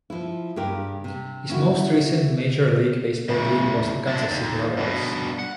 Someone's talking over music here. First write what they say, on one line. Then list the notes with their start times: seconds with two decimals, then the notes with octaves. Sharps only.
His most recent Major League Baseball team was the Kansas City Royals.
0.10 F3 E4
0.56 G2 C#3 G4 A#4
1.04 C3
1.49 C#4 E4 F#4
3.28 A2 C#3
4.07 F#3 D4
4.31 D#2
4.77 G2 B2
5.39 F#5